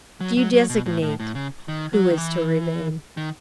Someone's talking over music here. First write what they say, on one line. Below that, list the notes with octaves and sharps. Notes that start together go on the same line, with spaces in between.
"Do you designate who is to remain."
F#3
F#3
F#3
B2
A2
A2
A2
C#3
D#3
F#3
D#3
E3
D#3